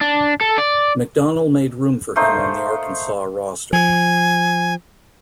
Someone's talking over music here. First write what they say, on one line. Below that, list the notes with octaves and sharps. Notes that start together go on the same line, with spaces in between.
McDonnell made room for him on the Arkansas roster.
D4
A4
D5
A3 A#3 D#4 C5
F3 G#5